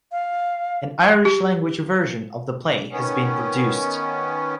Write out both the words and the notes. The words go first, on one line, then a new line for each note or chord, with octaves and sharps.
An Irish-language version of the play has been produced.
F5
G4
D#3 B3 C#4